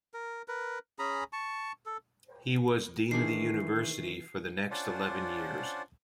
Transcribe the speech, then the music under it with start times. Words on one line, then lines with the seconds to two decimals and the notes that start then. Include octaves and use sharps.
He was Dean of the University for the next eleven years.
0.14 A#4
0.48 A#4 B4
0.99 C#4 G#4 A#5 B5
1.33 A5 C#6
1.86 A4
3.11 D#3 E3 D4 G#4 C7
4.71 C#4 D4 F4 C5 D5 F#5